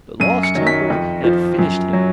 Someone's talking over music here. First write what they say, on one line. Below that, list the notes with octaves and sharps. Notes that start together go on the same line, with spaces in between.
The lost temper had finished him.
F#2 D#7
C#7
D#3 F#3
B6
F2
F3
F#2
F#3